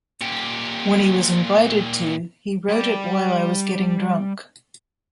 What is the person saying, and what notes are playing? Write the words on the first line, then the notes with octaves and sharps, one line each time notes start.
When he was invited too, he wrote it while I was getting drunk.
A#2 G4
G3 D5